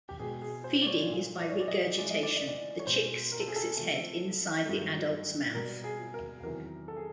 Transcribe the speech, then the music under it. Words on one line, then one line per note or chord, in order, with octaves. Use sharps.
Feeding is by regurgitation, the chick sticks its head inside the adults mouth.
G4
B2 G#3 G#4
G#4
C5
D5
C#5
A#2 F3 G#3
D5
C#5
D5
D#5
A2 F3 G#3 D5
D#5
D5
D#5
D5
C#5
B2 G#3 C5
A#4
A4
G#4
A4
C3 F3 A3
G2 D#3 F#3 A3
B2 G3 A#4
G#4
A#4
E2 C3 D#3 F#3 A#4
A4
G#4